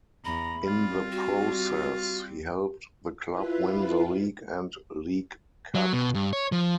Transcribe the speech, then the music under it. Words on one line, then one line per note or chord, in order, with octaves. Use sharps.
In the process he helped the club win the League and League Cup.
E2 A#5 B5
G3 C4 F4
F#4
E4 F4 B4
F#3
B2
G2
C#5
F3